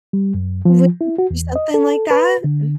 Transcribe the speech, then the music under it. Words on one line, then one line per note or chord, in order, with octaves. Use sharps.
Would you do something like that? Mm.
G3
F#2
F3
E4
F#4
E2
D#5
A4
B4
D3